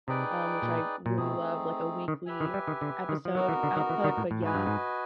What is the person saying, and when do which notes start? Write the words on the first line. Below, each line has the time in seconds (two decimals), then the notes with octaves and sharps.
um, which I really love like a weekly episode output, but yeah,
0.08 C3 D#4 G#4 B4 D5 G5
0.62 A#2
1.06 A#2
1.17 B2 A3 C4 D#4 G#4
2.08 D#3
2.26 G4 B4 E5 G#5
2.40 D#3
2.54 G3
2.68 D#3
2.81 D3
3.09 D#3
3.25 F3
3.35 F#3 B3 D#4 F#4 A#4
3.49 E3
3.63 D3
3.76 D#3
3.90 E3
4.04 D#3
4.17 A2
4.31 A2
4.42 G#2 F#4 B4 D#5 G#5
4.55 G2
4.66 G#2